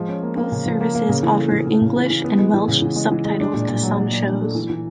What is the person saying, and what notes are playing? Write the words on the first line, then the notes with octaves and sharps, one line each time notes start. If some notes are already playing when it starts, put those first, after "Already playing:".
Both services offer English and Welsh subtitles to some shows.
Already playing: F3 G#3
C#4
A#3
A#3
C#3
F3
A#3
A#3
C#3
E3
A3
E3
E3
C#3
E3
E3
B3
G#3
E3
C#3
E3
G#3
E3
G#3
D4
A#2
A#2
F#3
F#3
A#2
D4
A3
E3
E3